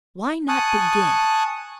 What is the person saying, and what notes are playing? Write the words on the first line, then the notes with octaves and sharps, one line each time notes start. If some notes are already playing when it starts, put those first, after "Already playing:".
Why not begin?
G#5 A5 C#6 D#6 F#6